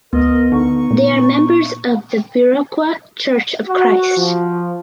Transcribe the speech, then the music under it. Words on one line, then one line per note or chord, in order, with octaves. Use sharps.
They are members of the Viroqua Church of Christ.
D2 B3 A#4 D#5
D3 D#4 C#6
A#2
F#4
F3